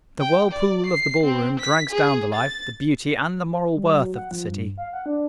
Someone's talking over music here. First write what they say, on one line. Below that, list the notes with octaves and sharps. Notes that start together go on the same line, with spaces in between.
The whirlpool of the ball-room drags down the life, the beauty, and the moral worth of the city.
G5
D5
C7
C4
B6
G#4
A6
G3
F#3
F#5
F3
G2
F5
F#5
D4